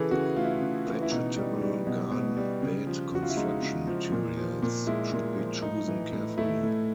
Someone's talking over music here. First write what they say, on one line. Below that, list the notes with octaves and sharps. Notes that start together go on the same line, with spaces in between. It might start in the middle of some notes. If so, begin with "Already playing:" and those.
Vegetable garden bed construction materials should be chosen carefully.
Already playing: C#3 E3 G#4 A4
C#3 F#4
A3 F4
E4
F4
C#3
E3
E4
B2 D#4
G3
G3
B2
B2
G3
C#3
F3
C#3 F#4
F4
E4
G#3 D#4
C#3
F3
A#2
F3
A#2
G#3 E4
A#2
F3
A2 D#4
E3
A2
A3 E4
A2